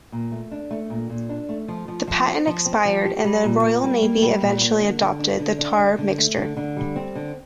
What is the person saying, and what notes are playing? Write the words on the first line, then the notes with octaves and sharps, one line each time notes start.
The patent expired, and the Royal Navy eventually adopted the tar mixture.
A#2
A3
D4
A3
A#2
A#2
D4
A3
F3
F3
F3
C4
F3
C4
F3
G4
G3
A#2
A#3
G3
A#3
G3
A#2
A#3
D3
D3
D4
D3
D4
D3
D3
A3
D3
D3
G3
C4
D3